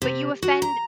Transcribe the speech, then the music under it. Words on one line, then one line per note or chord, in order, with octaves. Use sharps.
But you offend
C3
F#4
A#5